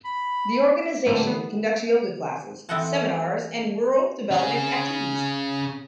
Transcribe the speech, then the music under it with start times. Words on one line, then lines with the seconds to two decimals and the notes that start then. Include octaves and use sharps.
The organisation conducts Yoga classes, seminars, and rural development activities.
0.05 B5
1.06 A2 D3 G3 A3 A#3
1.27 B3
2.69 E3 C4 A4 D#5 F#5 A5
4.31 C#4 G#4